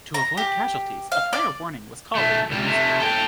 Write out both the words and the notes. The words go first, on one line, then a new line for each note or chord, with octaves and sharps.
To avoid casualties, a prior warning was called into a newspaper.
A#5
G4
F5
D5
B1 A3
C#2 G3
C3 A3
A4 G5